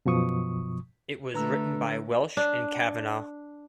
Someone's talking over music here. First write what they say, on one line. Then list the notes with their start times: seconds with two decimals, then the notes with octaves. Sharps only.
It was written by Welsh and Cavanagh.
0.05 F#2 B2 F3 C#6 D#6
1.34 D3 A3 B4 A#5 E6
2.37 D4